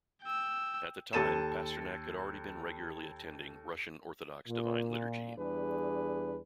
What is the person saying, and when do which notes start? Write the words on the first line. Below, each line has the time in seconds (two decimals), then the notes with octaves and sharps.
At the time, Pasternak had also been regularly attending Russian Orthodox Divine Liturgy.
0.23 G5 E6
1.13 D#2 A4 A6 D#7 E7
4.47 A#2
5.37 E2 G3 D4 G#4 B4